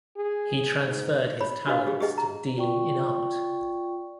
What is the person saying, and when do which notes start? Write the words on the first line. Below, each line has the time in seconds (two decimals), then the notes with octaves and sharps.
He transferred his talents to dealing in art.
0.16 G#4
0.82 G#2
1.41 C#5 B5
1.66 D4 F#4 G4 B4 D#5 F5
1.87 G4 G#4
2.01 G4 G#4 D#5 F#5
2.18 A#5
2.56 F4 D5 G5 C#6